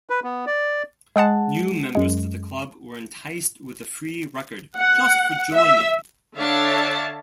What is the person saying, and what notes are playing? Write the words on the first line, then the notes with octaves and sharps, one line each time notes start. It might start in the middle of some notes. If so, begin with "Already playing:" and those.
New members to the club were enticed with a free record just for joining.
B4
B3
D5
G#3 G#4 F#5 A5
F#2 G#3
F#5
E5
D3 D4 C#5 E5 F5 A5